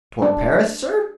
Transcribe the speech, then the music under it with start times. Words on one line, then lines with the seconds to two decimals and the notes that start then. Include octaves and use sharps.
"Toward Paris, sir?"
0.22 D4